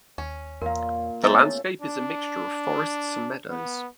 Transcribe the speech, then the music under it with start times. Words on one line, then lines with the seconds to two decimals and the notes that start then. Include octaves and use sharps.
The landscape is a mixture of forests and meadows.
0.18 D#2 C#4
0.62 E2 A#2 F4 A#4 F5
1.24 C#3 A3 B3 D#4 E5 A#5 A6
1.81 D4
3.49 B3